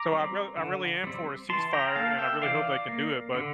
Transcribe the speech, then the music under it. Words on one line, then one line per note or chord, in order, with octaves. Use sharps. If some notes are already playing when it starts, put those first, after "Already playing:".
So I real I really am for a ceasefire, and I really hope they can do it. But,
Already playing: A#5 D6
G3 C4
D3
G3 C4
E3 A5 C6
G5 A#5
A#3 F5 A5
E5 G5
E3 D5 F5
A#3
D3